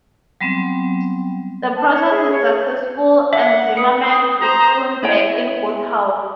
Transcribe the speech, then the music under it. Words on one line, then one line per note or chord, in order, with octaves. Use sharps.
The process is successful, and Zimmerman is soon back in good health.
F#3 G3 B3 C4
A5
C#5
G#4
C#5
E5 F#5
B4 D#6 C#7
C5 A#5
E4 C#5 G5